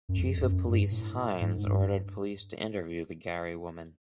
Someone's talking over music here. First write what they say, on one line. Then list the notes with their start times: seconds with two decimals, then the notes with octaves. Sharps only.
Chief of Police Heinz ordered police to interview the Gary woman.
0.09 F#2
0.18 F2
0.38 F2
0.43 F#2
0.67 G2
0.92 A2
1.41 G#2
1.57 G#2
1.66 G2